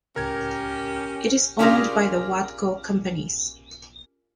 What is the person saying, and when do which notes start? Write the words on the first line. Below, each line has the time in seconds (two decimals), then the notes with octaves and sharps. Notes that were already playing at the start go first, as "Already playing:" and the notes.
It is owned by the Watco companies.
0.16 D1 C#2 A2 C#4 G4 A#4 G#6
1.59 C#4 D4 F4 G4 G#4 A#4